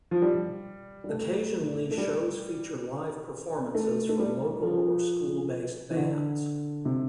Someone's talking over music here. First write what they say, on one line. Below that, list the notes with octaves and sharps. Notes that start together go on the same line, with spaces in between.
Occasionally, shows feature live performances from local or school-based bands.
F3
G3
G3
A3
A3
G3
A3
A3
G3
F3
E3
D3
C3